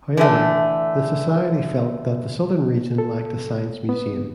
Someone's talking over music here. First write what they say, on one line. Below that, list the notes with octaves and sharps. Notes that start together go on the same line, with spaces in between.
However, the society felt that the southern region lacked a science museum.
D3 E3 A3
A4
B3